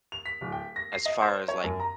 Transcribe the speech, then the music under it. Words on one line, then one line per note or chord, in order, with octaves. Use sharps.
as far as, like,
F7
B6
D1
G5
A#6
C7
D#5
C5
C#5
F#2
A#5